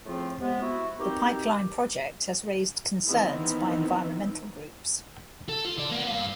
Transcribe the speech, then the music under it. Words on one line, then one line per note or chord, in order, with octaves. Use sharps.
The pipeline project has raised concerns by environmental groups.
A2 C#3 F3 A3 C4 F4
C3 G#3 B3
E4 F#4
B2 A#3 C4 D#4 G4
D#3 E3 B3 C4 D#4 E4
A4
F4
D3 D5
A#3 B3
G2 F5